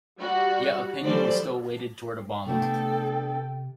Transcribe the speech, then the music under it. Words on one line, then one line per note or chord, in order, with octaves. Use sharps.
Yet opinion was still weighted toward Obama.
G3 F#4
E3 F#3 G3 A3 C5 D5
C3 A3 B3 D4 A4 G5